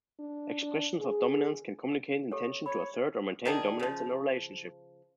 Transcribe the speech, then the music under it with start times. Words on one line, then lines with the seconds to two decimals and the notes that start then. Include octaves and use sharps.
Expressions of dominance can communicate intention to assert or maintain dominance in a relationship.
0.19 D4
0.62 D4
1.00 G#4
2.32 G4 A4 C#5
2.66 C#5 B5
3.45 D#3 D4 G#4
3.80 C#3 F3